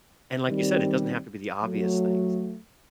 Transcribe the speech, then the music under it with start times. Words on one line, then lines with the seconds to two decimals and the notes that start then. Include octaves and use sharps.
and like you said, it doesn't have to be the obvious things,
0.48 D#3 G3 C4
1.63 F#3 A3